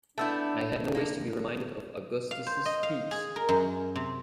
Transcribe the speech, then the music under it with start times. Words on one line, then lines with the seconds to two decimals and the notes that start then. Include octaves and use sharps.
I had no wish to be reminded of Augustus's speech.
0.18 A3 B3 D4 E4 A5 E6 G6
0.95 A#3 D4
2.31 F5
2.47 C5
2.66 D#5
2.83 F5
3.11 G#4
3.36 A#4
3.49 F#2
3.96 C3